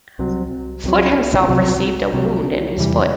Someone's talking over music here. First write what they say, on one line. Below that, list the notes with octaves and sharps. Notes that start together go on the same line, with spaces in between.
Foote himself received a wound in his foot.
C2 C3 F#3
C2 C3 F#3
C2 C3 F#3
C2 C3 F#3
E2 C3 E3 G3